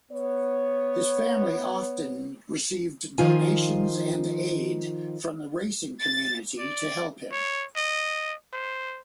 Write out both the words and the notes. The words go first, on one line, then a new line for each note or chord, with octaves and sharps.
His family often received donations and aid from the racing community to help him.
B3 C#5
D#3 F3 F4 G#5
A6
D5
C#5
D#5
C5